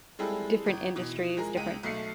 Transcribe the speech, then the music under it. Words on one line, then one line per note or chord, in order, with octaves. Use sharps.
different industries, different
G3 G#3 C4 E4 G#4 A4
G1
B2 E3
F3 G#3 G#4 A#4
C#2 G#3 D#7
B1 A3 C7 C#7